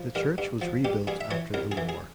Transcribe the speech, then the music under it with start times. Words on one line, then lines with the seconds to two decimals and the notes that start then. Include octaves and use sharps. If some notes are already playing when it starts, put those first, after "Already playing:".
The church was rebuilt after the war.
Already playing: F3
0.15 G2 A#4
0.38 G2
0.62 F3
0.85 G2 G4
1.07 G2 G#4
1.21 E5
1.31 E3 C#5
1.54 C2 A#4
1.72 G#4
1.77 E3
1.89 G#4